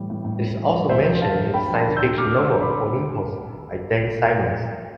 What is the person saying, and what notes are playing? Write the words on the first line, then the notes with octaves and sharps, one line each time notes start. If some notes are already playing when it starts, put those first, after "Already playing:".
It is also mentioned in the science fiction novel "Olympos," by Dan Simmons.
Already playing: A2 E3 G3
A2
A2
G3
E3
A2
D2 C5 E5
F3
D3 F5 A5
A3
D2 G5 B5
F3
A5 C6
D3
A3 E6 G6
D2 D6 F6
A3
C6 E6
D3
B5 D6